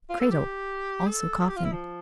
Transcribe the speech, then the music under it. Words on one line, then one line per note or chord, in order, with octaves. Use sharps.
Cradle; also coffin.
F4
A4
G4
A4
A4
G4
F4
E4
F3